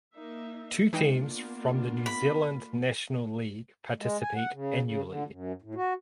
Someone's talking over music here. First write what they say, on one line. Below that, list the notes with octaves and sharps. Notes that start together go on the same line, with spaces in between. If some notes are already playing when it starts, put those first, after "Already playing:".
Two teams from the New Zealand National League participate annually.
A#3 D#4 E5
E3 G#3 A#3 D4 D#4 F4 G5
B3
B5
G#3
G#5
F#5
C#3
C#3
D3
F#2
A2
F#4